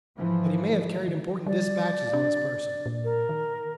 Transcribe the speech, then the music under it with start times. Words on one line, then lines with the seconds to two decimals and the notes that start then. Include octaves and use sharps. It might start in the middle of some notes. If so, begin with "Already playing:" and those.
But he may have carried important dispatches on his person.
0.18 G#2 E3 F3
1.08 D#3
1.46 G3 D5
2.13 D4
2.86 A#2
3.04 A#4
3.29 D#3